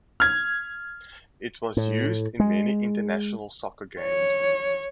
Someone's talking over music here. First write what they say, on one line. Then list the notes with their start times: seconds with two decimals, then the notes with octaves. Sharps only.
It was used in many international soccer games.
0.20 F6 G#6
1.77 A2
2.40 G#3
4.01 C#5